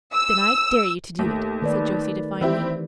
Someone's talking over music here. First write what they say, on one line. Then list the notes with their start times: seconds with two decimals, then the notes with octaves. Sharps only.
"Then I dare you to do it," said Josie defiantly.
0.14 E6
1.19 D#2 A3
1.62 D#3 B4 D5
2.41 E3 C4 E4 G4